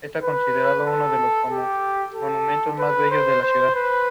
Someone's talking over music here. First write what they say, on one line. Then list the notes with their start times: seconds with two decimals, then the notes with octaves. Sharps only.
Russia also has longstanding concerns about plans to expand the North Atlantic Treaty Organisation.
0.23 B4
0.87 A4
1.50 G4
2.14 A4
2.79 B4
3.11 C5
3.42 C5
3.75 B4